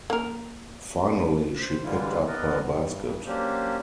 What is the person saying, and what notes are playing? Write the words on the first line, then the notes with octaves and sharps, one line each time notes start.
Finally she picked up her basket.
A#3 A#4
C5
D3 E3 G3 G#3 E4 F4
B3 A#4 B4 D5 D#5
G2
F#3 A#3 C#4 D4 G4 C5